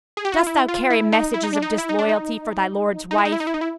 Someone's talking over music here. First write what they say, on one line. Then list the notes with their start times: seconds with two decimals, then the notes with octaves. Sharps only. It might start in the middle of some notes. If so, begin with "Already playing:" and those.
Dost thou carry messages of disloyalty for thy lord's wife?
0.17 G#4
0.25 G4
0.32 F#4
0.39 F4
0.47 E4
0.68 F4
0.90 E4
1.12 D#4
1.34 E4
1.43 D#4
1.53 D4
1.62 D#4
1.78 E4
1.89 D#4
1.99 D4
2.09 D#4
3.11 D#4
3.18 E4
3.25 D#4
3.32 E4
3.40 D#4
3.47 E4
3.54 D#4
3.61 E4